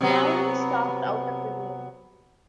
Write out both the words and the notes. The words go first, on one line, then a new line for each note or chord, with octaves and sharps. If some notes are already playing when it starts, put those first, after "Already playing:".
Downing stalked out of the room.
C3 F#3 B3